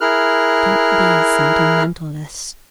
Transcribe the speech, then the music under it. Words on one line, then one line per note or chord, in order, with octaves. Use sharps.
Don't be a sentimentalist.
E4 G#4 A#4 F6 F#6